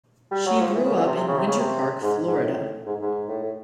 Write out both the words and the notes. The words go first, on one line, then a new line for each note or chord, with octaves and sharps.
She grew up in Winter Park, Florida.
G3
F#3
F3
E3
C#3
D3
C3
C3
C#3
C3
C#3
C3
G#2
G#2
A2
G#2
G#2
A2
A2